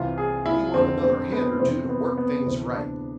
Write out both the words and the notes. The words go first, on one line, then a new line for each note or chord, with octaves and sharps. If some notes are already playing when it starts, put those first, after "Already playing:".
We want another hand or two to work things right.'
Already playing: C2 C3 E3 F4
G#4
E4
F2 D3 C4
C4
B3
F2 C3 E3 C4
B3
B3
D2 C3 E3 C4
D4